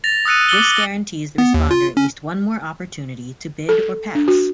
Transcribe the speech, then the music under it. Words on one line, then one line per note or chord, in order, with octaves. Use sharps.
This guarantees the responder at least one more opportunity to bid or pass.
A6 A#6 F7
D#6 E6 F#6 C#7 D#7
D6 F#6 A6 C#7 F#7 G7
B3
D#2
F4
C#4
A4
D4
F#4